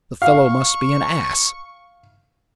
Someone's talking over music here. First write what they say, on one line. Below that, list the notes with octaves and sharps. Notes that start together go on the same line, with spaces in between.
The fellow must be an ass!
F5 C#6